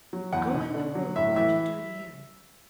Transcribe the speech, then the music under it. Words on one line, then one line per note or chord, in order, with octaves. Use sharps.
"Go in the room, we're watching Dirty Harry."
F#3
E2 F#5
B2
D3
F#3
A2 E5
E3 E5